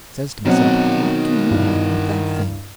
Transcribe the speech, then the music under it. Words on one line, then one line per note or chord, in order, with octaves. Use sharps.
I says to myself, what can he want with that thing?
B2 D#3 F#3 C4 F#5
G2 E4